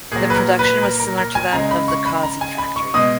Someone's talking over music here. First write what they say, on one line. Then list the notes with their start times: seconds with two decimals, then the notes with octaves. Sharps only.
The production was similar to that of the Cozzi factory.
0.12 A#2 F#3 G#4
0.30 B4
0.36 A#4
0.59 B4
0.82 A#4
1.00 A#4
1.17 A#4
1.35 G#5
1.53 C#3 G#3 A#5
1.71 B5
1.88 C#6
2.06 B5
2.23 A#5
2.41 G#5
2.58 B5
2.76 C#6
2.94 B2 G#3 D#6